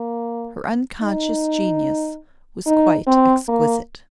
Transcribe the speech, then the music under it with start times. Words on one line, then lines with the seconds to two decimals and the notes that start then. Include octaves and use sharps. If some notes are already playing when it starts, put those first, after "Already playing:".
Her unconscious genius was quite exquisite.
Already playing: A#3
1.02 D#4
2.66 D#4
3.07 C4
3.48 A#3